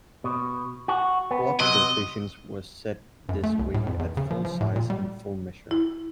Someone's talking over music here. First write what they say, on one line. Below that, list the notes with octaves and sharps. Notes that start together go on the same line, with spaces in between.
Block quotations were set this way at full size and full measure.
B2
F#4
B3
C3 F#3 B3 D#5
F#2
A3
C2
A2
F2
E2
C#3
F3
F3
A2
A#2
G3
E4